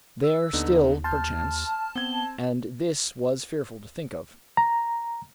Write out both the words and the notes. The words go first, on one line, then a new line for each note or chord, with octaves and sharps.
There still, perchance, and this was fearful to think of.
E6
D#2 D3 B3 D#4
A5 C6 F6 G6
B3 C4 G#6 G7
A#5